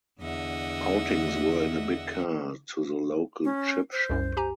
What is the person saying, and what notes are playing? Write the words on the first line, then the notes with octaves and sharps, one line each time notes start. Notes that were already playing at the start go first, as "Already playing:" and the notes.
Outings were in a big car to the local chip shop.
E2 D3 D#5 E5 F#5
C#4
C5
C2 F#2
G4 G#5 A#5